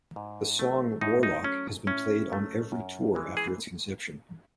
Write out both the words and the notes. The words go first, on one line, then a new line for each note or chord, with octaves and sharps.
The song "Worlock" has been played on every tour after its conception.
G#2
F#3 A3
A2 D#4
D#4
F#3 A3 C#4
A2 C#4
F#3 A3
F#2
E3 G#3
G#4